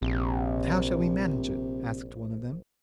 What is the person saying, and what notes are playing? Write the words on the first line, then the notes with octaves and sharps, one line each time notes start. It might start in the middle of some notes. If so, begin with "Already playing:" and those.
'But how shall we manage it,' asked one of them.
A#1 C3